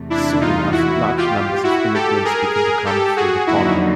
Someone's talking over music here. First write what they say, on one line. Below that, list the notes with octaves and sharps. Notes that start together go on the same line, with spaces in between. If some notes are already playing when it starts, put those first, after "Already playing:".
Soon enough, large numbers of immigrants begin to come through the portal.
Already playing: E2 C3 E3 A3
D4 E4
D#4 F4
E4 F#4
F4 G4
E4 F#4
G4 A4
G#4 A#4
G#4 A#4
G4 A4
F#4 G#4
F2 D3 F#3 A#3 D#4 E4 F#4